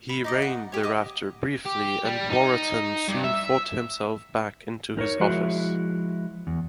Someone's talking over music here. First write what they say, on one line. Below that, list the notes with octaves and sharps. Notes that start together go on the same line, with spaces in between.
He reigned thereafter briefly and Waratton soon fought himself back into his office.
B5
D#4 D5 D#5
F#5
G4 C#5
D#5 D6
G4
G3
D#4
G2
E5
D#4 A#4 C5 C#5
F3 G#3 E4 F#4
E2